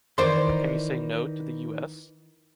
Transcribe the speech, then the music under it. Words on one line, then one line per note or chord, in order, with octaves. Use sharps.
Can you say “no” to the US?
D#3 E3 D#4 C5 D5 C6